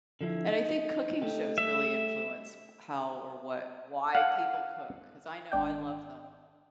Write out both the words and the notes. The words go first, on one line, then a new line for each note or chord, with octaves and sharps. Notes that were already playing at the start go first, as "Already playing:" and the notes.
and I think cooking shows really influence how or what why people cook, 'cause I know I love them,
D3 F3 E4
D#4
A3 D#4 G4
G3 A3 E5
F5 F#5
G#1 D4 G5